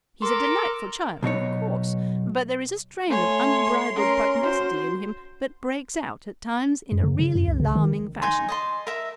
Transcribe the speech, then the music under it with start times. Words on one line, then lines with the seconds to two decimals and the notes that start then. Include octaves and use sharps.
He's a delightful child, of course, but there is a strain of unbridled pugnacity in him that breaks out at times in a really alarming fashion.
0.22 A4 A#4 C6 D6
1.23 B1 B2 D#4 C#5
3.10 A3 C#5 G#5 C6
3.95 C#4 A#4
4.43 F#4 C5
6.92 F#2
7.04 C#3
7.19 C#3
7.35 F#2
7.48 C2
7.60 C#3
7.75 D#3
8.22 D#4 G#5 C6
8.49 D#5 A5 C6
8.87 A#4 E5